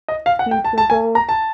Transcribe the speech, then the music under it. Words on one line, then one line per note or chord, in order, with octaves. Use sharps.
future goals,
D#5
F5
F#5
G5
A5
A5
G#5
A#5
A5